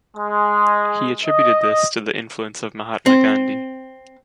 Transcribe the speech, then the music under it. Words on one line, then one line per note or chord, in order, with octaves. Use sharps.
He attributed this to the influence of Mahatma Gandhi.
G#3
D#5
C4